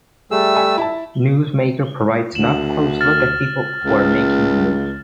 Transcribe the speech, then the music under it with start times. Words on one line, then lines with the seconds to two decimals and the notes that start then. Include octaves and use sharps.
"Newsmaker" provides an up-close look at people who are making news.
0.31 G3 A3 G#4 E6
0.55 A4 E5 G#5
0.78 E4 A5
2.35 D2 E7 F#7
3.01 F6 A6
3.84 C#2